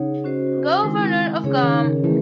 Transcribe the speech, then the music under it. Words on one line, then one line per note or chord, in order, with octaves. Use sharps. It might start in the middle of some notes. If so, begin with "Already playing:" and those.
Governor of Guam.
Already playing: C#3 D#4 G#4 C#5 F#5
C#4 F#4 C5 D#5
D#3 G#3 C4 E4
C#3 C#4 G#4 C#5
D#3
C#3
E3 A3 C#4